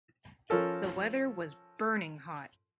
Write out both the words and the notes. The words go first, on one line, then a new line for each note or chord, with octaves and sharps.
The weather was burning hot.
F3 C#4 A4 A#4